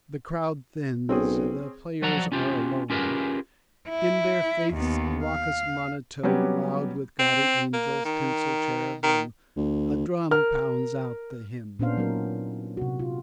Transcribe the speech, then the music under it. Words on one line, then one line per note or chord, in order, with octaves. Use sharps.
The crowd thins, the players are alone; In their faith's raucous monotone, Loud with gaudy angels, tinsel cherubim, A drum pounds out the hymn.
B1 C4 C#4 G#4
F3 F#3 F#4 D5 F#5 A#5
C#4 F4 G4
C#4 F4 G4 G#4 A#4 B4
E4
D#2 B3
F5
F#3 G3 B3 C#4 G4
C4
A#3
D#3
D#3
D2
A#4 F6
A#2 B3 C#4 D4 C5 F5
F#3 C#4 D#4 A#4
C3 F#4
F4